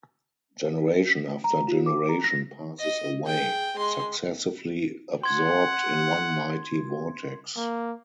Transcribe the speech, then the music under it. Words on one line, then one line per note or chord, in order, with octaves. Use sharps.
Generation after generation passes away, successively absorbed in one mighty vortex.
A#5
F4
D6
A#5
A#6
D#5
G#4 G5
G#3 C6
F#5 C6 G#6
A#3